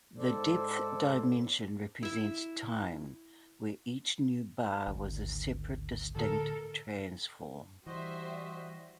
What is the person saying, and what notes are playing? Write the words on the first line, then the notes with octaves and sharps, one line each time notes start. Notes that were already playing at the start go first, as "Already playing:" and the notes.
The depth dimension represents time, where each new bar was a separate distinct transform.
G#2 A4 C5 D5
E4 E5
G#1 D2
A2 D3 A4 A#4
E3 G3 F#4 C5 D#5 E5